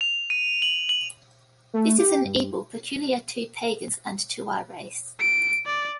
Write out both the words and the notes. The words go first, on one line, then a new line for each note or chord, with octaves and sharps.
This is an evil peculiar to pagans and to our race.
F7
D#7
F#7
F#7
A3
G4
G2
D7
D5